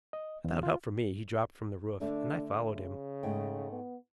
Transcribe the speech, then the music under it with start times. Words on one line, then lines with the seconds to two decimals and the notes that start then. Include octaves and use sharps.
Without help from me he dropped from the roof, and I followed him.
0.13 D#5
0.44 E2
0.63 F4
2.01 D3 A3 D4
2.75 C#3
3.23 G#2 A3 G5
3.72 B3